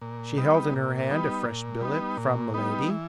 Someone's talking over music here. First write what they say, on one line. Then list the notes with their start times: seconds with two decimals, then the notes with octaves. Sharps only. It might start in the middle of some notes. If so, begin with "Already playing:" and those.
She held in her hand a fresh billet from Milady.
0.01 A#2
0.38 G3 B3 D#4
0.74 A#2
1.10 G3 B3 D#4
1.46 A#2
1.81 G3 B3 D#4
2.17 A#2
2.54 G3 B3 D#4
2.90 E3